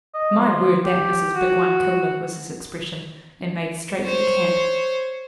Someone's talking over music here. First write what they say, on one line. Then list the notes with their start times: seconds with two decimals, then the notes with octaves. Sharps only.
"My word, that missis big one coolah!" was his expression, and made straight for the camp.
0.14 D#5
0.36 F3
0.85 G4
1.35 F#4
4.05 C5 C#5